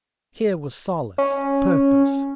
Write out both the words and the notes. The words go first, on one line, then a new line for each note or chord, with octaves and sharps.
Here was solace, purpose.
C#4